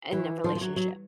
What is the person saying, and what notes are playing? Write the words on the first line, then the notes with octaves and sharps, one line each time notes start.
in the relationship?
E3
F3
F3
F#3
F#3